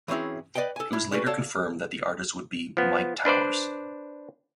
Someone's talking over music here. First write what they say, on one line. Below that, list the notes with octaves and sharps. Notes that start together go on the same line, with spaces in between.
It was later confirmed that the artist would be Myke Towers.
E3 F#3 C4 C#4 E4 G#4
B4 D5 D#5 F#5 G5
A4 G#5
D4 E4
G3 C#4 D4 F#4 A4 B4
A4 C#5 D5 F5 F#5 A5
F3 B3
D4 B4 C5 D5